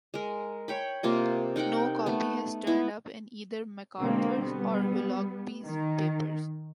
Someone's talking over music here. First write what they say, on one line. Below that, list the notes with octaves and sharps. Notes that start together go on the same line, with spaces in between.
No copy has turned up in either MacArthur's or Willoughby's papers.
G#3 A#4
C#5 G5 B5
C3 A#3 F4 D#5
D#4 A#4 F#5 G5
A3 B3
B3 E4
B2 D3 G#3 A#3 C4
G3 B3
D#3